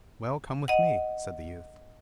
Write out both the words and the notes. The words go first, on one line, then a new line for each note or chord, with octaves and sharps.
'Well, come with me,' said the youth.
D#5 F#5